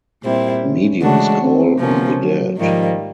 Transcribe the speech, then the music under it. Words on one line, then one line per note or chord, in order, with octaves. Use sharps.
Mediums call on the dead.
A#2 G3 C4 E4
C#4
C#3 E3 G#3 A3 D4 F#4
C4
C3 F3 A#3 B3 C#4
F#3
G#2 D#3 F3 G3 A#3